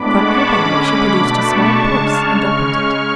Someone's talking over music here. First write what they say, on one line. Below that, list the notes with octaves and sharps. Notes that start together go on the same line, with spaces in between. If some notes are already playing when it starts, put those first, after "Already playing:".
From her bag she produced a small purse and opened it.
Already playing: A2 G#3 B3 D4 B5 D6
A5 C#6
D3 G#3 C#4 B5 D6
B2 A3 D4
A5 C#6
C#3 G#3 D4
C#6 F6
C#3 G#3 C#4
C#6 F6